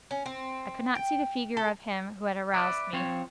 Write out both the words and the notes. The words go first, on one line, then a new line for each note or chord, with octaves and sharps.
I could not see the figure of him who had aroused me.
C#4
C4
G5
A4
B4 D5 E5
F3 C4 C5 C#5